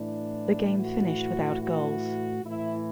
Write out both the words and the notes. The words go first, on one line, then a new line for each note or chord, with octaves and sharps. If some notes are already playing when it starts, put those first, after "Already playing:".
The game finished without goals.
Already playing: A2 E3 D4
F#4
F#4
A2 E3 E4